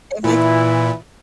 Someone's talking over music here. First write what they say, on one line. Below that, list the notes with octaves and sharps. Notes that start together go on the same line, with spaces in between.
That makes
A#2 E3 E4